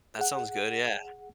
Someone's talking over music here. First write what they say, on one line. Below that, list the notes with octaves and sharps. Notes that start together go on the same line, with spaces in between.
That sounds good, yeah.
G#4 F#5